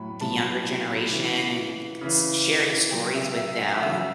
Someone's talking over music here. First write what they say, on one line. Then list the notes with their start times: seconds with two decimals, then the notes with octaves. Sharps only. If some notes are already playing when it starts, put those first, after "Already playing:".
the younger generation and s sharing stories with them
Already playing: A2 F#3 B5
0.21 A2 F#3 A5
1.12 C#3 E3
2.01 C#3 E3
2.91 C#3 F#3 G5
3.15 E5
3.37 E5
3.59 F#5
3.82 C#3 F#3 E5